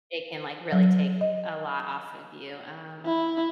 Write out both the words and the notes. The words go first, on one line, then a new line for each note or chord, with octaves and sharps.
it can, like, really take a lot off of you. Um,
F#3
D#5
E4